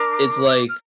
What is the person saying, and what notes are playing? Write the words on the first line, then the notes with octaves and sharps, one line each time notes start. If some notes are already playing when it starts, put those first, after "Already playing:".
it's like,
Already playing: D4 A#4 D6
F6